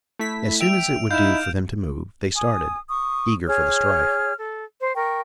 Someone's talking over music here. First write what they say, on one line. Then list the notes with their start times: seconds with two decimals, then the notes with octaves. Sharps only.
As soon as it would do for them to move, they started, eager for the strife.
0.19 A3 E4 B6
0.61 E5 G5 D7 F7
1.11 D#4 E4 F5 G6 E7
2.36 G#5 D#6
2.89 C#6 D#6
3.47 G#4 C#5 F6
4.37 A4
4.80 C5
4.96 A#4 G5 C#6